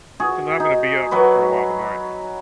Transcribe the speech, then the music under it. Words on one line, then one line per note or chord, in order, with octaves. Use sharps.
so now I'm gonna be up f for a while tonight
F#4 G#4
D#4
F#3 F#4 B4